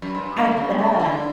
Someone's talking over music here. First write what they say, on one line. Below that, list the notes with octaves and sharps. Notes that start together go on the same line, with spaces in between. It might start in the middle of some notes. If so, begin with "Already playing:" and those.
I bet.
F#2
G2
B2
D3
C#3
C#3
D3